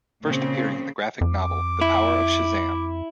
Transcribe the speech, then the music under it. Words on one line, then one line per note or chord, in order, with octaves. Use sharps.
First appearing in the graphic novel The Power of Shazam!
A#2 C#3 C4
F2 D6
E4